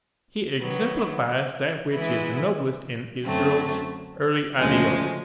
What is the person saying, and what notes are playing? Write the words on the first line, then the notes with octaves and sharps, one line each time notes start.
He exemplifies that which is noblest in Israel's early ideals.
D#3 F#3 B3
E3 G#3 B3 E4
F#2 D3 F#3 A3 C4
D2 C#3 F3 G#3 C#4